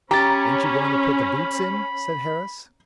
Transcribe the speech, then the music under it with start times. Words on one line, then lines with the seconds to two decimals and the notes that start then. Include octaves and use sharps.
"Ain't you going to put the boots in?" said Harris.
0.11 C#4 G4 A#5 B5 A6